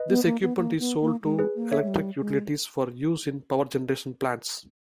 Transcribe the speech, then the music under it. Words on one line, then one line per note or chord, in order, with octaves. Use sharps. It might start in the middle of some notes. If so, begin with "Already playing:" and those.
This equipment is sold to electric utilities for use in power generation plants.
Already playing: B4 D#5
B3
A#3
B3
A#3
B3
A#3
G#3
G#4 B4
A#3
C#5 E5
G#3
G3
G#3